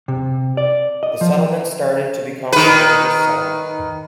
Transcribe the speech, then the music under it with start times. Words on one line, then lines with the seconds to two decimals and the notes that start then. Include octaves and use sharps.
The settlement started to become a religious centre.
0.08 C3
0.57 D5
1.03 D#5
1.21 F3
2.52 D#3 B4